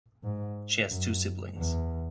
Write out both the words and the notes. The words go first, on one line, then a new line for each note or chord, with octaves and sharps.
She has two siblings.
G#2
F#2
E2